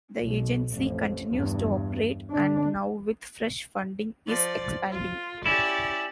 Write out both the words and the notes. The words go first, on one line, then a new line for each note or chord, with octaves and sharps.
The agency continues to operate, and now with fresh funding, is expanding.
B1
A1 F2
E2 G2
D3 D4
F3 D5
F4
C#4 E4 G4 D5